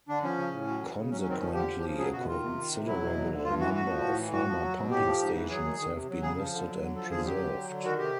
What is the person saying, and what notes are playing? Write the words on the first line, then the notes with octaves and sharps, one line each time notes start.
Consequently, a considerable number of former pumping stations have been listed and preserved.
D3 D4
F3 C#4
C#3
A2
F#3
E3
C#3
F#3 C#4
C#4
D#3 C4
F3 C#4
D3 G4
F3
C#3
F#3 G#4
B2 F#4
D#3 F4
C3
D#3
C3
F#3 E4
B2
F#3
D3
G2 F4
E3 F#4
A2 F#4
F3
A2
E3
A2 F#4
F3
F#3
B2
A2 G4
F3
G#2
E3
F#3 G#4
D#3
D#3
C3
F#3
C#3 G#4
F3
D3
F#3
D3
F3 A4
D3 G#4
F#3 G4
D3
F#3
D3
D#3 F#4
C3 G4